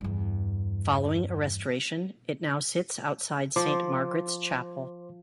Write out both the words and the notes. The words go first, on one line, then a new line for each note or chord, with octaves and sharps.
Following a restoration, it now sits outside Saint Margaret's Chapel.
E2 G2
F3 C5 C6 D6